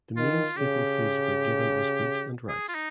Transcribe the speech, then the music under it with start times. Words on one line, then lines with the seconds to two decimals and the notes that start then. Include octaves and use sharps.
The main staple foods were given as wheat and rice.
0.17 D#3 F4
0.57 C#3 G4
2.48 G#4
2.69 F4
2.75 D#4